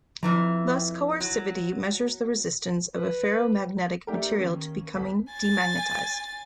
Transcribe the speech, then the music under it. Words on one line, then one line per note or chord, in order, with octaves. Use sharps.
Thus coercivity measures the resistance of a ferromagnetic material to becoming demagnetized.
F2 E3 F3 A#5
F#3
B4
A3 D4 G4 A#4
D#3 A#3 C#4
G1 B6
G#5 A6